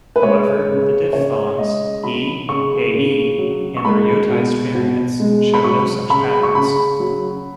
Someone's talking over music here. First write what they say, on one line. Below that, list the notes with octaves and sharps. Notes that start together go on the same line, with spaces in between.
However, the diphthongs "e, ae" and their yotized variants show no such patterns.
B4
G#3 C#5
C#3
C#3 C#5
G#3 D#5
F#3 B5
C#3 C#6
C#3
F#3
C#6
G#3 B5
B2
B2
G#3
B5
F#3 C#6
C#3 B5
C#6
C#3 B5
F#3